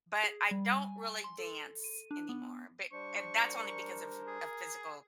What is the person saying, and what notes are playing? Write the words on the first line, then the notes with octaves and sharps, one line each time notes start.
but I don't really dance anymore, but it that's only because of of physical
G#4
G3
G#5
C6
A4
D#7
D4
B3
G3 D4 C5 C#6
A#4
G#4